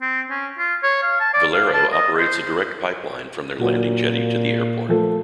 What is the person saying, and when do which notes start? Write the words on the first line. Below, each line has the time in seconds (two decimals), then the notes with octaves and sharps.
"Valero" operates a direct pipeline from their landing-jetty to the airport.
0.01 C4
0.30 C#4
0.58 F4
0.83 C#5
1.03 F5
1.20 A5
1.34 D5
1.53 F5
1.74 A5
1.93 D#5
2.19 C5
3.60 A#2 F#3 F#4
4.89 F3 A3 A4